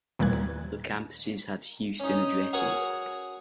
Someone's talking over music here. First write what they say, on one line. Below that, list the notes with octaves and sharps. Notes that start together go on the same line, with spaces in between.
The campuses have Houston addresses.
D#2 A#2 E3 G3 F#6 G#6
C#4 D#4
F#4 G#4 A#4 C#5